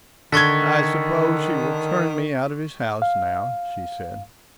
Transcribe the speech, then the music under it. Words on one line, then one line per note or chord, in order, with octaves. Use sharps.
"I suppose he will turn me out of his house now," she said.
D3 D#3 C#6 G#6 A6 B6
F5